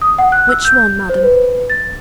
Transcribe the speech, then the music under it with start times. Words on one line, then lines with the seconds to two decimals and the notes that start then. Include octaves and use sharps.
"Which one, madam?"
0.02 D#6
0.18 F#5
0.32 F#6
0.49 E6
0.65 G6
1.09 C5
1.23 B4
1.70 A6